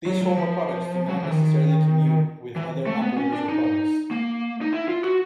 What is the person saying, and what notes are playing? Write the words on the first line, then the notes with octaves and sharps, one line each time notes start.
These formal products do not necessarily commute with other operators or products.
F#3
F#3
F3
F#3
F3
E3
D#3
E3
A3
B3
C#4
D4
D#4
A#3
D#4
E4
F4
F#4